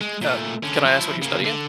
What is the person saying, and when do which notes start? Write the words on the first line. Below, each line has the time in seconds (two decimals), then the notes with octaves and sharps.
Uh, can I ask what you're studying?
0.01 G#3
0.22 A#2 A3
0.63 D3 C#4
0.85 F3 E4
1.22 C#3 A#3
1.45 D3